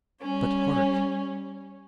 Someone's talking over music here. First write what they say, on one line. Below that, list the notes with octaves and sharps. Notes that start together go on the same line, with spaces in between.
But, hark!
G3 C#4 C#5